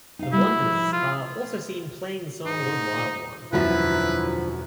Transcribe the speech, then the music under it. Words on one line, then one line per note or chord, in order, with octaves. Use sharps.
The Wonders are also seen playing the song Little Wild One.
D#4 F5
G3 B3 E4
F#4
F3
F4
G#2 D#4
E1 F#2 B2 D3 F3 E4 B4